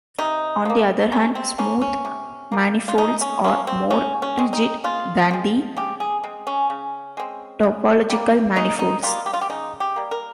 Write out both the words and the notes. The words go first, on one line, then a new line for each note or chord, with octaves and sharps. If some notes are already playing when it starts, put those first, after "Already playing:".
On the other hand, smooth manifolds are more rigid than the topological manifolds.
C3 D#4
F3 A#3
C3 C#4
C4
F3 A#3 C#4
C#4
C3
F3 A#3
F4
C3 D#4
C#4
F3 A#3 C#4
C4
C#3 C#4
C#4
G#3 C4
D#4
C#3 F4
G#3 C4
C#3 G4
G#4
G#3 C4
C#4
C#3
G#3 C4
C#3
G3 A#3
C#3 D#4
D#4
G3 A#3 F4
G4
F4
G4
C#3 D#4
G4
G3 A#3
A#4